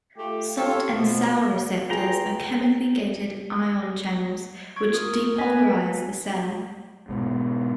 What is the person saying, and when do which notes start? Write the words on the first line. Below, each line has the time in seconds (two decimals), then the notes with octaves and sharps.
Salt and sour receptors are chemically gated ion channels, which depolarize the cell.
0.17 A3 F4 G4
0.57 F4 G4 A4 C#5 F5
0.95 B2 F3
1.90 F4 G#4 B4 G5 A#5
4.76 C#6 G#6 D7
4.92 F4 A#4 D#6
5.38 B4 D#5 G#5 F#6 G#6 B6
7.09 G#2 B2